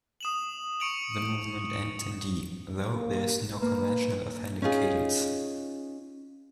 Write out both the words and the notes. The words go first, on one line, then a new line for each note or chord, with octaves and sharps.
The movement ends in D, though there is no conventional authentic cadence.
D#6 E7 F#7
C#6 C#7 D7 F7 F#7
A#3
A#3 B4
C#4 D#4 F4 G#4